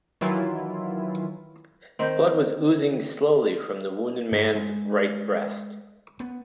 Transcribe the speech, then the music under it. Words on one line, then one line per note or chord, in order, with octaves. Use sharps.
Blood was oozing slowly from the wounded man's right breast.
D#3 E3 F#3 E4 F4
D#3 C4
G2
G#3
B3